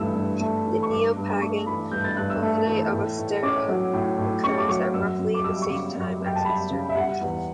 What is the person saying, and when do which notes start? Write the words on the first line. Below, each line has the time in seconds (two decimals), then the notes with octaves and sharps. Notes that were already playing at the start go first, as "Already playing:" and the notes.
The Neo-Pagan holiday of Ostara occurs at roughly the same time as Easter.
Already playing: G2 E3 A3 E6
0.16 G2
0.40 A3
0.66 E3
0.83 C#6
0.91 G2 D6
1.16 G2
1.41 A3 C#6
1.67 E3 B5
1.92 G2 G6
2.04 A6
2.17 G2 F#6
2.30 E6
2.42 A3
2.67 E3
2.93 A2
3.18 A2
3.43 C#4 D6
3.68 F#3
3.93 A2
4.18 A2
4.44 C#4 C#6
4.57 D6
4.68 F#3 C#6
4.94 F#2 E6
5.19 F#2
5.34 D6
5.44 G3 E6
5.62 C#6
5.70 C#3 D6
5.95 F#2
6.20 F#2
6.26 G5
6.36 A5
6.45 G3 B5
6.71 C#3
6.89 E5
6.95 G3 F#5
7.21 E2